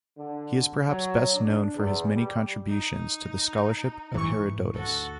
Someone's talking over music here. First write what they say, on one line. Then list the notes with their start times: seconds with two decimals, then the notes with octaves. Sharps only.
He is perhaps best known for his many contributions to the scholarship of Herodotus.
0.17 D3
0.88 F#3
1.33 D4
1.75 E2
2.14 G3
2.68 D#4
4.14 G#2 E3 C#6
4.74 D2 F#4 A4